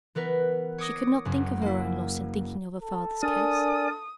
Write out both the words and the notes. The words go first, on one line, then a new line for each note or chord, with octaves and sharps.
She could not think of her own loss in thinking of her father's case.
E3 B3 A#4 B4
C#5 D6 D#6 A#6
F#1 F#2
A#3 E4
A4
D4 A#4 D5 G#5 D#6